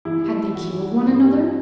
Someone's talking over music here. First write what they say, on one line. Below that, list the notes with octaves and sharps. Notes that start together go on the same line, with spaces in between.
Had they killed one another?
E3 E4
G3
G3
E3 F#4
E3
G3
G2
G3